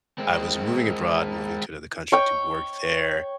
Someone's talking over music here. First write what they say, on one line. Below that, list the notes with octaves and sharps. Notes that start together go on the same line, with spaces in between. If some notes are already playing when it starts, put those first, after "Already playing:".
I was moving abroad, moving to another country to work there,
G#3 C4
C#5 G5